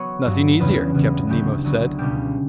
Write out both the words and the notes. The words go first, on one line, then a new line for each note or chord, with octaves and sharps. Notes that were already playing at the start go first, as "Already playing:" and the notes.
"Nothing easier," Captain Nemo said.
Already playing: F#3 B3 C#5
G2 F#3 B3
E2 C#3 E3 G3 B3 B4
E2 C#3 E3 G3 B3
D2 D3 F#3 B3 G4
D2 D3 F#3 B3
C#2 B2 G3 G4